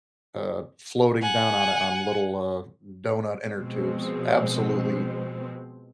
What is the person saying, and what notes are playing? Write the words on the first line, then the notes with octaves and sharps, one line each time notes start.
uh, floating down on it, on little, uh, doughnut inner tubes, absolutely
F#5 G#5
B2 F3 G#3 C4